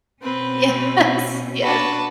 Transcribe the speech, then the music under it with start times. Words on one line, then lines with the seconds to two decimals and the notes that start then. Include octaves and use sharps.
Yes, yes.
0.23 B2 C4 C#4 B4
1.62 D4 F#4 B4 A5